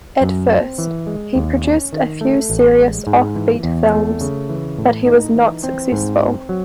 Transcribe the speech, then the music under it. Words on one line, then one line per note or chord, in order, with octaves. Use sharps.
At first, he produced a few serious offbeat films, but he was not successful.
F#2
C4
E3
G#3
D#2
C#4
D#3
A3
A1
G#3
G#2
E3
E2
A3
C#3
E3
A2
D#4
E3
C4
G#2
C4
F#3